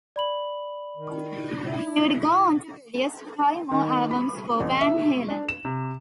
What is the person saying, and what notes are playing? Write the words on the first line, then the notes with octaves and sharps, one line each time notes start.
He would go on to produce five more albums for Van Halen.
D5 B5 F#7
D#3
E4
D#3
B5
A1
E5
D4
E7
C3